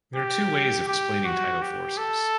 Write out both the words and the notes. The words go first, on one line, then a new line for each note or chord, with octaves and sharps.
There are two ways of explaining tidal forces.
G4
G4
F#4
G4
A4